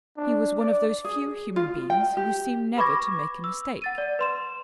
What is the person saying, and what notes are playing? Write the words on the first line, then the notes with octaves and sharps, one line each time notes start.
He was one of those few human beings who seem never to make a mistake.
D4
D5
G#4
F4
G5
G4
B4 B5 C#6 D6 G#6 A#6
E6
F#5 A6 D#7
D5
B4 C6 E7